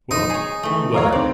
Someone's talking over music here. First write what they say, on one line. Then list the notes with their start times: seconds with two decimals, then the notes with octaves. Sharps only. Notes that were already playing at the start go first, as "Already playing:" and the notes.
Well, I am glad.
0.11 D#4
0.30 G#4 C#5
0.63 E3 A3
0.94 C#5 F5 A#5
1.12 D#3 C4 D5